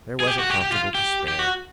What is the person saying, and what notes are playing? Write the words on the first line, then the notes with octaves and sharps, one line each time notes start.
There was a constable to spare.
G#4
G4
F#4
G4
G4
F4
G4
G4
F#4